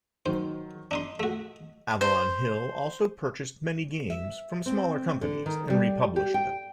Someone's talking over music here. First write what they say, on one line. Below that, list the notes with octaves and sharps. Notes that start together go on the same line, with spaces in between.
Avalon Hill also purchased many games from smaller companies and republished them.
D#3 F#3 C5
D4 D#4 D#5 C6
A3 F#4
C5
E5
C4
D3
D#3
G3
G4
G5